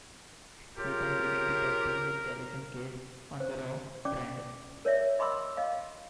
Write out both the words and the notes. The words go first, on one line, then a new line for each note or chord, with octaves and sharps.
He then began to tag team with Garrison Cade on the "Raw" brand.
C#3 F4 G4 A#4
C5
C#4 D5 D6
A#4 C#5 D5 E5
D#5 B5 C6 D6 E6
D#5 F5